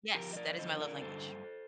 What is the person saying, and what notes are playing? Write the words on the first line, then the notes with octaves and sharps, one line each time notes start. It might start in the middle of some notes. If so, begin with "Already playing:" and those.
Yes. That is my love language.
F3 G4 A#4
D#5
A#4 D5
D3 C5 D#5
A#4 D5
G2 A4 C5